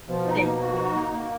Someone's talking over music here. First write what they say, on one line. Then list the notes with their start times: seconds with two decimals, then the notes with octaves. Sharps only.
Thank you.
0.09 B2 F3
0.26 D#4
0.43 A#3
0.61 F#4
0.77 D#4
0.94 A#3
1.11 A#3